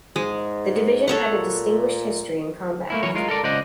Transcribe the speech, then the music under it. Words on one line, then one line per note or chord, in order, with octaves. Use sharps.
The division had a distinguished history in combat.
G#2 G#3
A4 C#5 F#5
A#2
A3 A#3 E4
E3 F#3 A#4 C#5
G#3 F4 A#4
A4 A#4 D5
C#2 C5 D5 D#5 F#5